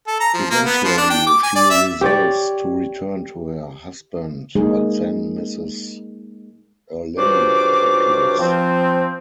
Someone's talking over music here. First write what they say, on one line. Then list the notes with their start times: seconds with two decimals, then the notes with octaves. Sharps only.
Eventually, she resolves to return to her husband, but then Mrs Erlynne appears.
0.07 A4
0.20 A#5
0.34 F3
0.50 A#3
0.65 B3
0.84 F3
0.97 D4
1.10 G5
1.27 D6
1.43 G#5
1.55 D5
1.70 E5
2.01 G4 C#5 D5
4.55 G#3 A#3 D#4 G#4
7.17 C#2 G2 F4 F#4 C5 D6
8.39 F3 C4